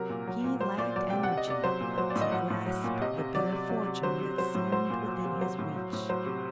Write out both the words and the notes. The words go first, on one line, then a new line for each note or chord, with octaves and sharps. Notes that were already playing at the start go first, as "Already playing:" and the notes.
He lacked energy to grasp the better fortune that seemed within his reach.
Already playing: C3 F#3 A#4
A#2
F#3
A#2
F#3 C5
A#2 D5
F#3 D5
C3 G5
F#5
C3
D#5
C3 D5
F#3 C5
A#2
F#3 C5
D5
A2
D#5
F#3 F#5
A2
F#3
A#2
C3 D#5
C3
F#3 D5
C3
F#3
C3
F#3 C5
C3
F#3 C5
A2
F#3 C5
A#2
F#3
C3
F#3 C5
A2
F#3
A2
F#3 C5
C3